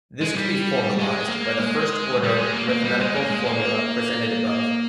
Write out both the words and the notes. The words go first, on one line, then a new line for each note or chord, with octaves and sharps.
This can be formalized by the first-order arithmetical formula presented above.
G#3
G3
G#3
A#3
G#3
G3
G#3
A#3
A#3
G3
G#3
A#3
G#3
A#3